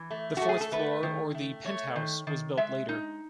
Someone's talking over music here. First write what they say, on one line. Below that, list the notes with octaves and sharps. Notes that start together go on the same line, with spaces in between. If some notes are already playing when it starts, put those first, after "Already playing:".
The fourth floor or the penthouse was built later.
Already playing: E3
A3
A3 F#4
G#4
A4
A3 B4
D#3
A3
A3 C#5
D#3
D#3
G#3 E5
D#4